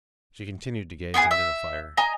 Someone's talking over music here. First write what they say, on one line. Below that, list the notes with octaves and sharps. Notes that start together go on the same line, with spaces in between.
She continued to gaze into the fire.
B3 E4 F4 G#4
E5
D#5 G#5 A#5